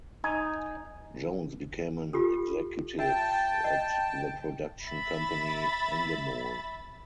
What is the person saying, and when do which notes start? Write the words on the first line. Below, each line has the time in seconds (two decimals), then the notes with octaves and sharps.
Jones became an executive at the production company Endemol.
0.24 D#4 G#5
2.13 F4 G4 A4
2.99 E5 G5 A5
3.64 D#5
4.82 E5 B5 A6